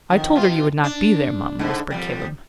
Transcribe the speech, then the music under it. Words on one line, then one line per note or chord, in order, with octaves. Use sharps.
"I told her you would not be there, mum," whispered Caleb.
F2 D#3
B2 F4
D4
G#2 D3
F2 G#2 G3